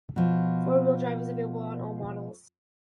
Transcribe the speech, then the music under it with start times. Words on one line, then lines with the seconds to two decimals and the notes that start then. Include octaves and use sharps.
Four-wheel drive is available on all models.
0.16 B2 F3